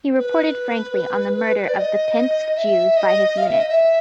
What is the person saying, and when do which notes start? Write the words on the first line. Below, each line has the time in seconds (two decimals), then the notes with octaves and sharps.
He reported frankly on the murder of the Pinsk Jews by his unit.
0.15 C5
0.19 B4
1.68 D5
1.78 D#5
2.57 E5
2.97 D#5
3.38 F5
3.48 E5
3.59 D#5
3.69 E5